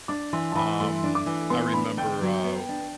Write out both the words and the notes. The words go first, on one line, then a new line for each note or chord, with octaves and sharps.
Um, I remember, uh,
D4 D6
E3 C6
A5
E3 B5
A3 C6
D4
D6
E3
B3 C6
D4 B5
D3 G5
F#3
B3
D4